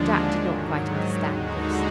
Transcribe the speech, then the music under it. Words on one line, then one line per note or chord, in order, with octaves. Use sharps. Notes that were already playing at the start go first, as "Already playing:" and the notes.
Jack did not quite understand this.
Already playing: D#2 D3 F3 G#3 D4
G#2 D#3 F#3
D#2 D3 G#3 D#4 F#4